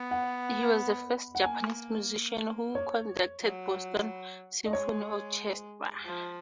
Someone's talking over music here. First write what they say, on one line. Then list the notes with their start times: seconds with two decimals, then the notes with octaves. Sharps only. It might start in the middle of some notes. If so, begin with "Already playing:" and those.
He was the first Japanese musician who conducted Boston Symphony Orchestra.
Already playing: B3
0.11 F#5
1.35 F#5
1.43 A#3 G#5
2.75 C#5
3.42 F#3
4.65 D#5
4.73 G#3 C#5
6.06 F3